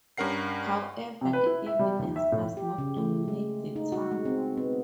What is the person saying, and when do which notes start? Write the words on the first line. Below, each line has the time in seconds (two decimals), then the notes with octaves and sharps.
However the evidence does not dominate the town.
0.18 G2 C#4 A#4 F#5 C7
1.21 C3
1.33 B4
1.46 E4
1.66 E5
1.79 G3
1.99 D#2
2.16 E5
2.32 A2
2.57 G4
2.78 C#3
2.97 A3
3.28 G#3
3.76 D#4
3.92 F#4
4.11 G#3
4.25 C4
4.57 B3